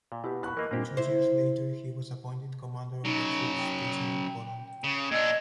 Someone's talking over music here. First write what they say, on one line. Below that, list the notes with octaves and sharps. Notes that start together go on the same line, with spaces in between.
Two years later he was appointed commander of the troops stationed in Poland.
A#2
B2 E4 G4 B4
B5 C#6 F#6
E3 A#3 A#4 D#5
G2 A#2 A#3 C4 G4 C5
E4 C5
C#3 F#3 D#4
G5
C#3
A#2 D4 D#5 E6 G#6